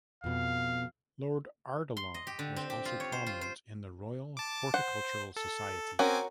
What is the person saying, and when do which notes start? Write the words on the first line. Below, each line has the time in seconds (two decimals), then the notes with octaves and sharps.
Lord Ardilaun was also prominent in the Royal Horticultural Society.
0.24 F2 B2 F5
1.97 C6
2.14 D#5
2.27 G4
2.39 D3
2.56 C4
2.70 G4
2.85 F4
3.00 C#5
3.12 C5
3.26 F4
3.41 C5
4.37 A5 D6
4.74 C5 F#5
5.36 A4
5.99 C4 C#4 F#4 A#4 G#5 D6